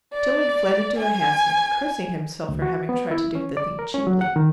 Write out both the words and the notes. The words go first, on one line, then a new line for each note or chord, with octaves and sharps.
Tilliard fled into a hansom, cursing himself for having tried to do the thing cheaply.
D5
G#5
D2
F#4
B3
E4
C#4
D5
A#4
C#4
F#3
F#5
D#3